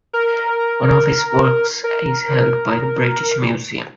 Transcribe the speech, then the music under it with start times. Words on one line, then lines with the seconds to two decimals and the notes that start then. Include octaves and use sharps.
One of his works is held by the British Museum.
0.13 A#4
1.84 A#4